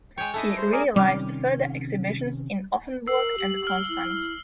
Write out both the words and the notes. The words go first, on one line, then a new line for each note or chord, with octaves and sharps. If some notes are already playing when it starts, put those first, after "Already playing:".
He realised further exhibitions in Offenburg and Konstanz.
G#3 C#5 G5
A3 E4 A4 D#5
C5
G#4 A#4 D5
C3 D#3 G3 C#4 D6 F6
A#4 E6 C7
G4 F#7
F6
E4